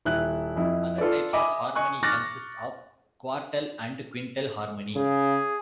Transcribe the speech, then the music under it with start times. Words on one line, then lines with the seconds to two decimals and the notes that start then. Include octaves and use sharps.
Other types of harmony consist of quartal and quintal harmony.
0.05 D#1 E4 F#6
0.56 F2 E4
0.98 F4 A4 B4 D5
1.33 D#5 E5 G#5 B5 D6 D#6
1.75 D#5 G#5 C#6 F#6
2.03 C#6 D6 F6 F#6 A6 A#6
4.96 C#3 G#4